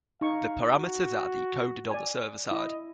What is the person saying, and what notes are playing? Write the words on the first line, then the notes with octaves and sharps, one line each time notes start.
The parameters are decoded on the server side.
D#4 F5 C#6
F#4
D5 G#5
E4 D#5